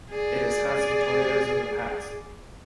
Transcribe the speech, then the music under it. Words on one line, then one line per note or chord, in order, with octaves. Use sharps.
It has had some tornadoes in the past.
G#4 D5